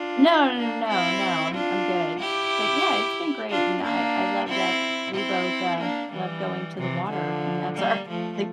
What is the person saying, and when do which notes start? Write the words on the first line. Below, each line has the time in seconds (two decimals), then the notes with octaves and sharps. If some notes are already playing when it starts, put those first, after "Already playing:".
No, no, no, no, no I'm I'm good, but, yeah, it's been great, and I I love that we both, uh, love going to the water, and that's our, like
Already playing: D4 F4
0.56 A#3 D4
0.89 C4 E4
1.54 D4 F4
2.20 E4 G4
3.50 D4 F4
3.83 A#3 D4
4.48 C4 E4
5.14 C4 E4
5.79 A#3 D4
6.12 E3 G3
6.77 C3 E3
7.10 D3 F3
7.76 G3 A#3
8.08 F3 A3